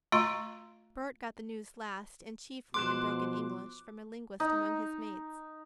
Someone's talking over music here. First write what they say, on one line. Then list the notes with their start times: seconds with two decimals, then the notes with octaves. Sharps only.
Bert got the news last, and chiefly in broken English, from a linguist among his mates.
0.12 A3 F4 D#5 A#5 C6
2.74 B2 F3 C6 D6 F#6 E7
4.40 D#4